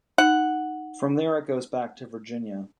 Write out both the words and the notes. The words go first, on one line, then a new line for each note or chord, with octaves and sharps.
From there it goes back into Virginia.
D#4 F#5